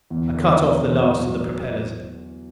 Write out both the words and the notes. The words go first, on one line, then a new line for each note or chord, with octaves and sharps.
I cut off the last of the propellers.
E2
D3
E2
E2
F#3
F#3